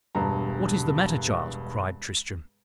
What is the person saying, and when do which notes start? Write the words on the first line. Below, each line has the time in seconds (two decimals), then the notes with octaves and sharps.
"What is the matter, child?" cried Tristram..
0.15 E1 G2 A#5